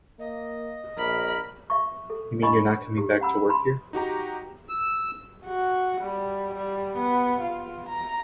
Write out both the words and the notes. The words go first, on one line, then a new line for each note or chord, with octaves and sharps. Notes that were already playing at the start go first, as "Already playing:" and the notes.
You mean you're not coming back to work here?
A#3 D#5
A#1 A#4 B5
E5 C#6
A4
D4 D#5 B5 C#6
G4
C#4 F#5 B5 E6
B5 C6
D#4 F#4 G4 A#5
E6
F#4
G3
G3
B3
F4
A#5